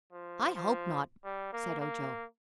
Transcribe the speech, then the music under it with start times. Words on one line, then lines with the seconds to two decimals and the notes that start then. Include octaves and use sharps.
"I hope not," said Ojo.
0.12 F3
0.55 F3
1.25 G3
1.53 A#3
1.80 A#3